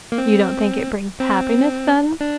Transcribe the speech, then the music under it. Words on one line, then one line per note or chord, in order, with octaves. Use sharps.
"You don't think it brings happiness, then?"
A#3
C4
C4
D4